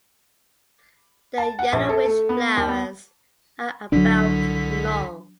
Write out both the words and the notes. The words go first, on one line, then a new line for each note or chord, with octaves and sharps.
The yellowish flowers are about long.
A5
F#5
A#1
A4
A3
B3
D#2
B3
C2 D3 F#3 D4 B6